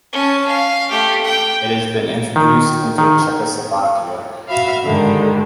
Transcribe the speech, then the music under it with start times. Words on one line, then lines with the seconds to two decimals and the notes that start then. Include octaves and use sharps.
It has been introduced into Czechoslovakia.
0.13 C#4 A5
0.48 F5
0.91 A3 G4
1.24 G5
2.36 D#3
2.98 D#3
4.48 F#4 E5 F5 B5
4.84 G#2 D3 D#3 G3